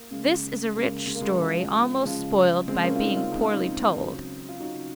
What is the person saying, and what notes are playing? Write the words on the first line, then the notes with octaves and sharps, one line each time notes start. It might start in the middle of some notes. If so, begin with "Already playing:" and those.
This is a rich story almost spoiled by being poorly told.
Already playing: A#3
C#3 G#3
C#3 G#3 A#3
G#3
A#3
G#3
C#3 F3 G#3
C#3 F3 G#3
C#3 G#3 C4
A#3 C#4
F4
C4 D#4
C#4 F4
C#3 G#3 D#4
F4
C4 D#4
C#3 F#3
F4
C#3 F#3 D#4 F#4